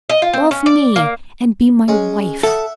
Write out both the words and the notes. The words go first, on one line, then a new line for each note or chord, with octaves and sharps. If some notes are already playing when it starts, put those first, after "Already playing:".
Love me and be my wife.
D#5
F4
C4
C#4
D5
A#3
G#3 C#4
A4 E5 F#5 D#6